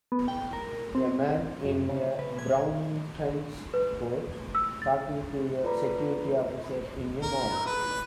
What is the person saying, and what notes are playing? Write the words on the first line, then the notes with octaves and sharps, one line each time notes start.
A man in a brown trench coat talking to a security officer in a mall.
B3
G5
A#4
C4
F#2
C#3
B4
G#6
B4
E6
A6
F4 A4 B4 D5 A#5 B5
A#4
B4